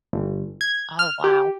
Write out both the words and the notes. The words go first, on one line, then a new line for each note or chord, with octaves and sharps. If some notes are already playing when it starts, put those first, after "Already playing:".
Oh, wow.
G1
G#6
F6
G4